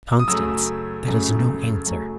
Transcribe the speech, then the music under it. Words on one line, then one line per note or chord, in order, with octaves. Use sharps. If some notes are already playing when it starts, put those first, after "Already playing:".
"Constance, that is no answer."
D#6
F#2 C#3 F#3 A3 E6
F#2 C#3 F#3 A3
F#2 C#3 F#3 A3